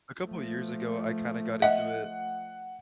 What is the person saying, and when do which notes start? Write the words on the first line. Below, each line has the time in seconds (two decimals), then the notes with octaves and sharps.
a couple years ago, I kinda got into it
0.24 F3 A3
1.62 D#5 E5 F#5